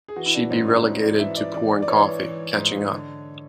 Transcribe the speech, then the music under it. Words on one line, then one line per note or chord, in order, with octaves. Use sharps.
She'd be relegated to pouring coffee, catching up.
G#4
E3 F#4
E4
D4
G#2 C#4
D4
G#2 E4
D5
E3 E5
D5
E3 D5
D5
E3 C#5
E3
G#2
D3